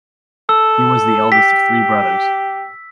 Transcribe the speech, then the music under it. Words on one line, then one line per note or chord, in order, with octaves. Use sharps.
He was the eldest of three brothers.
A4 E6
G4 B6